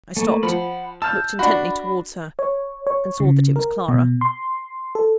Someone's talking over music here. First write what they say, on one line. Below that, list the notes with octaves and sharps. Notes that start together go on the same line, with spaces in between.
I stopped--looked intently towards her--and saw that it was Clara.
A3 A#3
F3 F#5 B5
A5 E6 F6 G6
D4 F#4 B5
C#5
C#5
C#3
A#4
B2
C6
A4